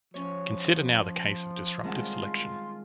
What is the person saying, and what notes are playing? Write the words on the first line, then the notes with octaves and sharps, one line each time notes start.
Consider now the case of disruptive selection.
F3 C#4 C#5
D#3 G3 G#3 C4 F4 F#5 A5